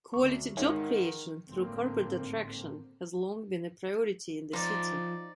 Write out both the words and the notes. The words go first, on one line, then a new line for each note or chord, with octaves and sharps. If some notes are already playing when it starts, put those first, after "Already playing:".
Quality job creation through corporate attraction has long been a priority in the City.
D2 C#6 D6
G#2 D#3 C#5 E5 G#5
G#1 A2 D3 A#3 C4
F3 D#4 F4 C5 D5